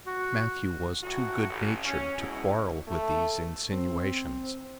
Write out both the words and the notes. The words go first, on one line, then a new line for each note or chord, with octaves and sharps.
Matthew was too good natured to quarrel with these insinuations.
F#4
A1 A2 F#4
A1
C#4
A#1 E2 G#2 B2 E4
A3
C4